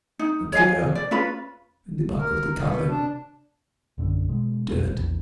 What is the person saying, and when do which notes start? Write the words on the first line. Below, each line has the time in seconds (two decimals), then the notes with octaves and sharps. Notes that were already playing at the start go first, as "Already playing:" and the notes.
"Up there--in the back of the cavern--dead!"
0.19 D#4
0.52 C#5 D#5 F5 G#5
0.95 D5
1.11 C#4 F4 B4 B5
2.18 A#4
2.59 B2
2.88 D4
3.98 A#1 F#2 D3
4.29 B2 G#3
4.72 F1 B1
4.94 A#1 E2